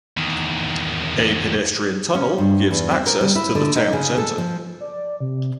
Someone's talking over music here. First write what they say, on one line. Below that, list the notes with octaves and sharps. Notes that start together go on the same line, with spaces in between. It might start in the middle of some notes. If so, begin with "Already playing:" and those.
A pedestrian tunnel gives access to the town centre.
E2 D#3
C#4
G2
E2
C4
A#4
G3
E4
D3
D#4
C#3
A4
F3
D5
C3